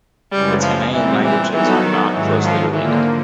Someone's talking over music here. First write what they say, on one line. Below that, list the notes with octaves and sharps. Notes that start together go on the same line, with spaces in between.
The Temein languages are not closely related.
F#2 C#3 E3 G3 G#3
F3
A#2 E3 G3 C4
E3
E3 F#3 B3 D#4 F#4 A4
D#3
G#2 D#3 E3 F#3
F3
D3 E3 F3 A#3